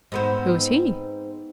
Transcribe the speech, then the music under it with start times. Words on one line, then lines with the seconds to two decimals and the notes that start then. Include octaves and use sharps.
"Who is he?"
0.12 G#2 B3 C4